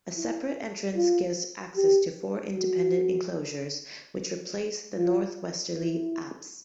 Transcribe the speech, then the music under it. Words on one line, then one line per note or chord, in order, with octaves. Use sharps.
A separate entrance gives access to four independent enclosures which replace the north-westerly apse.
E4
F4
G4
F#4
F4
E4